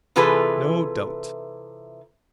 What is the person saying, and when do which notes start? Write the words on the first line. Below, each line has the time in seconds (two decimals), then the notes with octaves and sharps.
No doubt.
0.16 C3 E3 F4 G#4 A4 B4